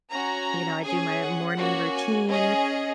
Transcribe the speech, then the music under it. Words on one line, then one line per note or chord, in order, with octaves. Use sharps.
you know, I do my morning routine,
C#4 F#4 A#5
C#4 G#4 G#5
F#5
A#3 C#4 F#4
G#5
C#4 G#4 D#5